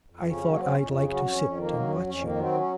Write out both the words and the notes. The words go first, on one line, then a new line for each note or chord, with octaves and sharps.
I thought I'd like to sit and watch you.
F2
C#3 C#4
F#3 A#3
F2 C4
F2 C#4
C#3 C#4
F#3 C#4
F2 C#4
F2
D#3 A#3
F#3
F2 C#4
F2 C#4
D#3 A#3
F#3 C4
C#4